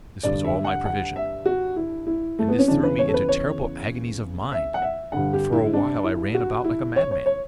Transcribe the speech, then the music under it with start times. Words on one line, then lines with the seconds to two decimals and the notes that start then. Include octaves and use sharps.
This was all my provision; and this threw me into terrible agonies of mind, that for a while I ran about like a madman.
0.23 G2 D3 D5
0.45 E5
0.65 F#5
0.85 F#5
1.16 E5
1.46 F#4
1.76 E4
2.07 E4
2.39 A3
2.49 B3
2.59 C#4
2.68 E2 C#3 E3 D4
2.83 B4
2.99 C#5
3.08 A4
3.14 B4
3.29 C#5
4.52 E5
4.74 F#5
4.82 E5
5.12 G2 D3 F#5
5.33 G4
5.52 E4
5.73 D4
6.04 E4
6.34 F#4
6.64 E4
6.96 C#5
7.11 C#5
7.26 C#5